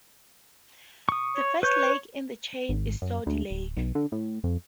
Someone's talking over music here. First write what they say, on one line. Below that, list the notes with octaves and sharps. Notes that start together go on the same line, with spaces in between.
The first lake in the chain is Todd Lake.
C#6 D#6
C#5
B4 C#5 G6
G#1
F#2
D2
D1
B1
D3
A2
F2